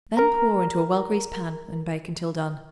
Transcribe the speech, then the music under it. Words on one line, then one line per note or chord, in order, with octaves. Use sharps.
Then pour into a well-greased pan and bake until done.
A#4 A#5